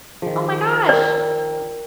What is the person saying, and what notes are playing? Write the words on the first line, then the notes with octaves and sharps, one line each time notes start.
Oh my gosh!
D#3 F3 G#4
A#4 D5 G5